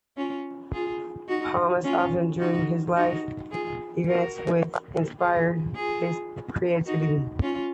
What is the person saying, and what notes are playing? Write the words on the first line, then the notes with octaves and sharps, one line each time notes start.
Pomus often drew on life events which inspired his creativity.
C#4 F4
F4 G#4
D#4 F#4
C#4 F4
D#4 F#4
D#4 F#4
F4 G#4
F#4 A#4
F4 G#4
F4 G#4
D#4 F#4
C#4 F4